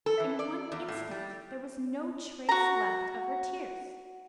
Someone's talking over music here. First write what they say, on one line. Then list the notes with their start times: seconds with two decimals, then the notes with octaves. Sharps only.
In one instant there was no trace left of her tears.
0.06 A4
0.20 E3
0.39 D5
0.72 E2
0.88 A2
1.11 G3
2.49 F#4 A#5